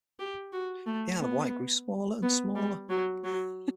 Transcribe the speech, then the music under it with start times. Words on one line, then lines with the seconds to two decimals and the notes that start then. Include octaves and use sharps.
The Isle of Wight grew smaller and smaller.
0.19 G4
0.53 F#4
0.86 A3
1.20 B3
2.22 B3
2.55 G3
2.90 F#3
3.24 F#3